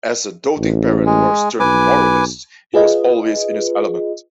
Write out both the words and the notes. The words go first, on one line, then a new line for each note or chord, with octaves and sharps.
As a doting parent or stern moralist, he was always in his element.
A1
G#3
B1 B4 G#5 D6
F4 G#4 B4 D#5